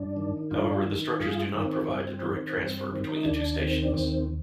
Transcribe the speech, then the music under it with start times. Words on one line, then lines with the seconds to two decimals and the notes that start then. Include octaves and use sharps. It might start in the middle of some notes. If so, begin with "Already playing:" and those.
However, the structures do not provide a direct transfer between the two stations.
Already playing: G2 D4
0.17 D#3
0.51 G2 D4 F4
0.86 D#3
1.20 G2 F4 G#4
1.54 D#3
1.65 C4
1.88 G2
2.23 D#3
2.57 G2
2.91 D#3
3.17 D#4
3.25 D#2 D4
3.60 D#3 C4
3.83 D4
3.94 D#2 C4